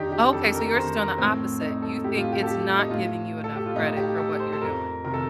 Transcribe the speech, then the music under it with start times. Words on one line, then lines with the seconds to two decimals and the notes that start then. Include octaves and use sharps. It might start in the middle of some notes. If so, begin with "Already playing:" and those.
Okay so, yours is doing the opposite, you think it's not giving you enough credit for what you're doing.
Already playing: F2 D#3 D4 D#4 G4
0.12 G4
0.33 F2 A4
0.54 A#4
0.66 A#4
0.75 D#3 C5
0.98 A#4
1.18 A2 C4
1.61 D#4
1.82 A4
2.04 A2 G4
2.18 F4
2.32 G4
2.42 A4
2.47 G4
2.79 D#4
2.90 A2 F4
3.44 A4
3.56 G4
3.66 F4
3.75 A2 D#4
3.97 G4
4.18 A4
4.40 C5
4.52 A4
4.61 F2 A#4
5.04 C3 D#3 A#4
5.14 A4